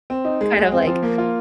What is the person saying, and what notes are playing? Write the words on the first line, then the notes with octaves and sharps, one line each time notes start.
Kind of like,
C4
D#4
G#3
G#3
C4
F3
A#3
F4